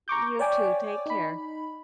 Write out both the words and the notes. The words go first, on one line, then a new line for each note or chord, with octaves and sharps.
You too. Take care.
A#5 C#6 D6 G6
C#5 D5 G5 G#5 D6
D#4 B5